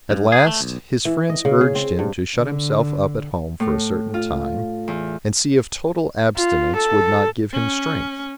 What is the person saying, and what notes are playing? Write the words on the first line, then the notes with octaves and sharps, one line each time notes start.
At last, his friends urged him to shut himself up at home for a certain time, and see if total abstinence would not give him strength.
G2
G#4
A3
B1
E3
D#5
C#3
G#4
C4
G2
D3
A2
F4
E2
F4
A4
C#4